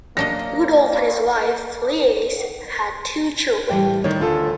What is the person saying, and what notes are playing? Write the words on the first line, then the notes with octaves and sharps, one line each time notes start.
Rudolf and his wife Liese had two children.
F#3 A#3 D4 D#5 A#6
A2 E3 G3 G5
A2 D#3 C#5 D5
D2 F4 A4